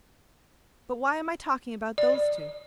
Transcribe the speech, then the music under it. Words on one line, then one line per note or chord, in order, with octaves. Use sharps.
But why am I talking about those two?
D5